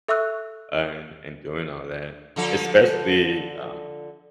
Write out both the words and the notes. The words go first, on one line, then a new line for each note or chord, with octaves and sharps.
uh, and and doing all that, especially, um
A4 E5 C#6 E6 F#6
D3 F3 A4